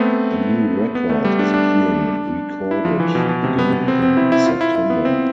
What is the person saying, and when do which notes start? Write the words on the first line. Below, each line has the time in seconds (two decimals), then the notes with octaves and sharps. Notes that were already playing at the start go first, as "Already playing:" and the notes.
A new record is being recorded beginning in September.
Already playing: A3 B3 C4
0.95 B3
1.10 A3
1.25 G3
1.39 D4
1.54 D4
2.71 E4
2.85 F3
3.00 E3
3.15 B2
3.29 B2
3.44 C3
3.59 B3
3.73 B3
3.88 C4
4.02 C4
4.17 E4
4.32 E4
4.46 F4
4.61 E4
4.76 E4
4.90 B3
5.05 C4